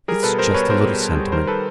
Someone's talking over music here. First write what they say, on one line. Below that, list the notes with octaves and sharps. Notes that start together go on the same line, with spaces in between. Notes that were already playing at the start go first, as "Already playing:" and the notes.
It's just a little sentiment....
G3 G#4 A#4
B2 A4 B4
G3 A#4 C5
B2 B4 C#5
B2 A#4 C5
G3
G3
G3
D#3 A#4 C5
A4 B4